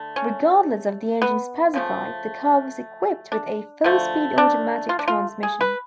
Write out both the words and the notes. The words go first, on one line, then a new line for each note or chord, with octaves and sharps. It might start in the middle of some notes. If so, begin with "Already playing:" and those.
Regardless of the engine specified, the car was equipped with a four-speed automatic transmission.
Already playing: D3 A3
C#4
B3
C#3 F3 A3
D4
D3 F3 A3
D4
F4
D4
F4
G#4
B4